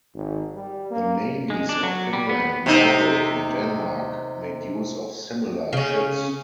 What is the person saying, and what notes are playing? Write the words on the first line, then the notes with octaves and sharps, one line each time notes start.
The navies of Finland, Norway, and Denmark made use of similar ships.
G#1
G3
A#3
G#3
D4
F#3
G3
B3
C3 D#4
C#3 C#4